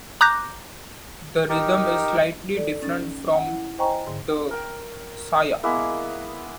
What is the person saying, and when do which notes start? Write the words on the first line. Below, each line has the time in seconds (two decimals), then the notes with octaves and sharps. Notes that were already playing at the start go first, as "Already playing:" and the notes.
The rhythm is slightly different from the 'Saya'.
0.21 A#5 D6 F#6 G6 A#6
1.49 D#4 G4 A#4
2.55 A4 D5
2.82 C#4 D#4 A6
3.33 F#5
3.47 E4
3.78 C5 D#5 G5 G#5 A#5 C#6
4.07 G#2 D3
4.51 A#4 G5
5.63 G#3 A#3 B3 E4